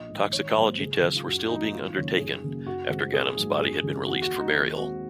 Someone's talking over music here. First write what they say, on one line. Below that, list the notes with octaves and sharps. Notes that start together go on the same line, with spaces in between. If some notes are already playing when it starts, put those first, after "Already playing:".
Toxicology tests were still being undertaken after Ghanem's body had been released for burial.
Already playing: A#1 D#5
G#2 D#3
G#1 C#5
G#2 F#3 A#3 C5
C#2 G#4
C#3 F#3
F4
F#2 F#4
D#3 A#3 D#4
G#1 F4
F#2 C#3 F#3 A#3 C#5
F#2 G#4
C#3 F#3 A#3
F#2 F#4
C#3 G#3 C4
A#1 G#4
G#2 F#3 A#3
F#2 G#4
C#3 F3 G#3
D#2 F#4
F#4
D#3 G#3
D#4
D#2
D#3 G#3 C4 F#4